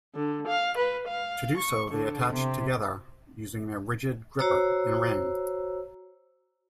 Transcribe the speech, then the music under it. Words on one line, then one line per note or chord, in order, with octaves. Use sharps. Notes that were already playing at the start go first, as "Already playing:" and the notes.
To do so, they attach together using their rigid gripper and ring.
D3
F5
B4
F5
C#6
D3
C3
F#4 C5 C#5 A#5 E6